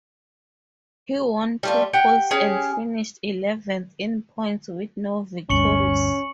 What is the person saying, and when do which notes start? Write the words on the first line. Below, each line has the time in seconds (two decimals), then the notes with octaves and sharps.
He won two poles and finished eleventh in points with no victories.
1.63 G3 A3 F4
1.93 G4 F#5 G5
2.31 C#4 G4 G#4
5.50 G1 D2 G2 C#4 C#6 C#7 F#7